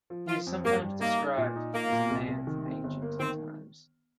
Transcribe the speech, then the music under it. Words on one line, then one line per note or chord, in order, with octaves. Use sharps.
He is sometimes described as a man from ancient times.
F3
F3 F4
F2
G2 A#3
G3
A#3 D#4
D#4
A#2
D#4
A#3 F4
A#2
C2
C2
D#3
C4
G1
A#3
D#3 C4